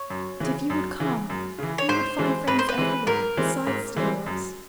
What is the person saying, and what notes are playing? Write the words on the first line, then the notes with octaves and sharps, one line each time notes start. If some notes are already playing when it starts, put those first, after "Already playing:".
But if you would come, you would find friends everywhere, besides Dolores.
Already playing: C#5
F#2
C#3 E3
F#2
C#3 E3
F#2
C#3 E3
C#5
G#2 C5
E3 G#3 C4
G#2 B4
C5
B4
E3 G#3 C4
G#2 A#4
E3 G#3 C4
G#2
E3 G#3 C4
F#2